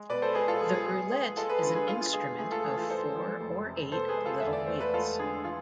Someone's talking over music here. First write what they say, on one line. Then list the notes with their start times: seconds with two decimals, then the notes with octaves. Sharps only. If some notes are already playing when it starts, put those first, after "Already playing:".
The roulette is an instrument of four or eight little wheels.
Already playing: G#3
0.09 B2 B4 D5
0.22 A4 C5
0.35 G#3 G#4 B4
0.48 F4 A4
0.61 F3 G#4
0.74 G#4
0.86 B3 G#4
1.12 G#3 G#4
1.37 G#3 F4 A4
1.49 G#4 B4
1.62 D3 F4
1.75 G#4
1.88 B3 F4
2.01 F4
2.13 G#3 G#4
2.38 A3 G#4
2.52 F4 A4
2.64 E3 G#4
2.77 F4 A4
2.90 G#3 A4 C5
3.16 F3
3.41 F1
3.66 C3
3.92 B3 A4 C5
4.08 G#4 B4
4.17 G#3
4.26 F4 A4
4.40 E2 E5
4.53 D5
4.66 A3 C5
4.80 B4
4.94 G#3 F4 A4
5.19 D3 G#4
5.45 E3 F4